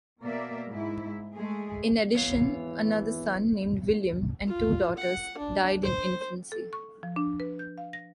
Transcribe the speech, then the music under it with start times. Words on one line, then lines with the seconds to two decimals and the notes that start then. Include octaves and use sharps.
In addition another son, named William, and two daughters died in infancy.
0.20 B2 A#3 A#4 D5 E5
0.67 G#2 E4
1.36 G#3 A3 G#4
2.15 G#1 E2 E3 B3 C#5 F5
4.48 F4
4.98 F#5
5.38 D4
5.83 C5
6.52 A4
6.73 C#6
7.03 F3
7.16 D4
7.40 B4
7.59 G6
7.78 F5
7.93 A#6